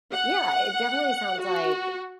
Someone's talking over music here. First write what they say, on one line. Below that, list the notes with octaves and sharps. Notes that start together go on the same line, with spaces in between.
Yeah, it definitely sounds like
F#5
F#4